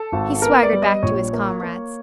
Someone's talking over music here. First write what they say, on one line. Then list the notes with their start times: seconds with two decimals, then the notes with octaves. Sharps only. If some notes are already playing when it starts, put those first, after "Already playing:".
He swaggered back to his comrades.
Already playing: A4
0.12 G#1
0.42 B3 A#4
0.63 D5
0.73 G3
0.82 D#5
1.03 A#1 C#5
1.33 A#3
1.63 A#3